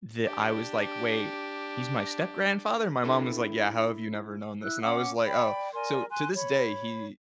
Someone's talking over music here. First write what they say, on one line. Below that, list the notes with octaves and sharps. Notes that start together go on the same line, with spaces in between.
that I was like, "Wait, he's my step-grandfather?" My mom was like, "Yeah, how have you never known this?" And I was like, "Oh," so to this day, he
D4 G4
C4 D4 E4 A4 B4
E4 E6 F#6
C#4 F#5 D6
D5 G5 B5
A#4 D5 G#5 C6
G#5 C6 F#6
C#5 B5